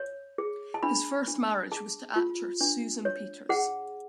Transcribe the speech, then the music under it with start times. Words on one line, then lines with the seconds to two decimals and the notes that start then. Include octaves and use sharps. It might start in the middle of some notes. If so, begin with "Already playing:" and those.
His first marriage was to actress Susan Peters.
Already playing: C#5
0.38 G#4
0.74 A5
0.83 D4 B5
1.27 D4
1.72 G#4 A5
2.16 F4
2.61 D4
3.05 C#5
3.49 G#4 F#5